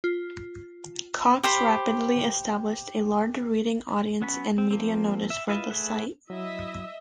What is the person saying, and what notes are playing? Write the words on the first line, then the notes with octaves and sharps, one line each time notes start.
Cox rapidly established a large reading audience and media notice for the site.
F4
G4 C5 B5
F#3 B3 C#4 B5
C4
F3 A#3 C4
E5
E4 F4 B4 D#5 E5
A3 G#4 B4 E5 F#5
F#3 E4 D#5 E5